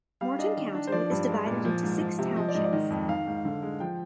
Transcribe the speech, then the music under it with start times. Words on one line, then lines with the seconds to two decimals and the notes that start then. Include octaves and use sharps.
Morton County is divided into six townships.
0.21 G3 F5
0.39 D4 D#5
0.57 D#3
0.75 D4
0.87 C5
0.92 F3 D5
1.11 G2
1.29 G#3
1.47 A#2
1.65 F3
1.83 G#2
2.01 F3
2.19 C3
2.36 F3 D#5
2.49 D5
2.55 G#2 D#5
2.65 D5
2.73 D#3 D#5
2.90 F2
3.08 D#3 F5
3.27 G#2
3.45 D3
3.63 G#3
3.80 F3 G5